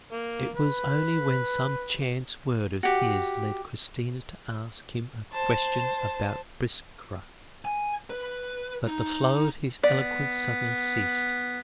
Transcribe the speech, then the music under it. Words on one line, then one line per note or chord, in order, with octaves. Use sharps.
It was only when some chance word of his led Christina to ask him a question about Biskra, that the flow of his eloquence suddenly ceased.
A#3
B4
F#4 G4
C5 A5
G#5
B4
D#4
B3 D5